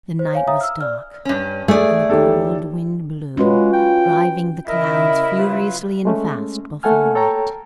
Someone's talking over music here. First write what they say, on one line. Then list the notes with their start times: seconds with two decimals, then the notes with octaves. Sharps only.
The night was dark, and a cold wind blew, driving the clouds, furiously and fast, before it.
0.19 C5
0.33 C#5 F5 G#5
0.47 C#5 E5 F5 A#5 D#6
0.61 E6 F6
0.81 D5 F6
1.25 G2 C#4
1.68 A3 G#4 D5
2.10 D#2 G4 A4
3.37 G#3 C#4 F4 F#4 B4
3.73 G5
4.68 C#3 E4 A#4 D#5 E5
5.38 F#3 F4 B4
6.05 G#3 A3 C#4
6.83 A3 A#3 A4 F#5 G#5 F6
7.15 A4 C#5 G5 A#5